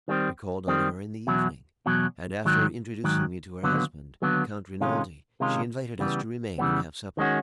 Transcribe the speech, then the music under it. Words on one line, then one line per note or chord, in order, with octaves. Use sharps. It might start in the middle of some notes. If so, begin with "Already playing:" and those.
We called on her in the evening, and, after introducing me to her husband, Count Rinaldi, she invited us to remain and have supper.
D#3 G3 C4
D#3 G3 C4
E2 B2 F#3
E2 B2 F#3
G#2 D#3 F#3
G#2 D#3 F#3
D#2 D3 F#3 B3
D#2 D3 F#3 B3
C3 D#3 G#3 C#4 F4
C3 D#3 G#3 C#4 F4
C#3 E3 G3 B3
C#3 E3 G3 B3
D#3 G#3 C#4 F#4